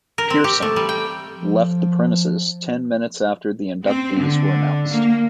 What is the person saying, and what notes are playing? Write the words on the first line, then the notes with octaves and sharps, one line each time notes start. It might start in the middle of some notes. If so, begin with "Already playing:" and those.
Pearson left the premises ten minutes after the inductees were announced.
A#4
C4
G4
A3
G3
G5
F3
C4
D3
A#3